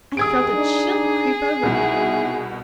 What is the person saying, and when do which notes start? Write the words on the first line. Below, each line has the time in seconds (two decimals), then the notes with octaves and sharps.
I felt a chill creep over me.
0.17 D#2 D#3 G#4 D#6 G#6 D7
0.52 D4 D#4 D5
1.63 C2 B2 D#4 E4 F#4